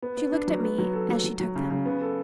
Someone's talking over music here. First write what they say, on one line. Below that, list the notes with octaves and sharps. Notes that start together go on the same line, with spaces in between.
She looked at me as she took them.
B3
B3
D4
F#3
B3
F#3
A4
F#3
F#3
F#3
C#3
C#3
B3
A4